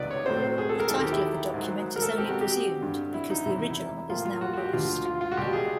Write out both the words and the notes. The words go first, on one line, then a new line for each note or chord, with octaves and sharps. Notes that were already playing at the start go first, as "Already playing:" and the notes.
The title of the document is only presumed because the original is now lost.
Already playing: C#2 C3 D#3 F#3 B3 B4 D5
C#5
A2 F#3 A3 C4 C5
C5
G#4
A4
A#4
D#2 D#3 F#3 A4
G4
E4
G#2 D#3 F#3
A#4
A4
B2 G#3 C4 G4
F#4
G4
G2 D3 G3 C4
E4
D#4
E2 C3 D#3 G3 E4
D#4
E4
A2 F3 A#3 F4
F4
F#4
F#4
G4
D2 D3 F3 F4
F4
F4
F#4
C#2 B2 G3 G4
G#4